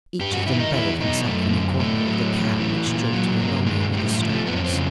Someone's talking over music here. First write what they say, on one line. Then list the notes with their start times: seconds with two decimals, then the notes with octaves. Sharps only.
Each of them buried himself in a corner of the cab which jolted along over the stones.
0.20 G2 G4
0.33 F#4
0.47 D#3 E4
0.60 D#4
0.73 E2 E4
1.00 B2 D#4
1.27 F#2 A3
1.53 D3
1.80 A2 A3
2.06 F#3
2.33 A2
2.60 E3
2.86 A#2
3.13 F#3
3.39 G2 A#3
3.66 D#3 G#3
3.93 A2 G3
4.11 G3
4.19 F3
4.29 A3
4.46 F2 B3
4.56 C#4
4.64 C4
4.73 C#3